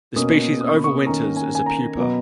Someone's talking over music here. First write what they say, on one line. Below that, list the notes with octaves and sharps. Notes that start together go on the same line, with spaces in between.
The species overwinters as a pupa.
B2 A#3 C#4 D#6
D#6
C#6
B5
C#6
D#3 A#3 C#4 A#5
G#5
G#5
A#5
B2 F#3 B3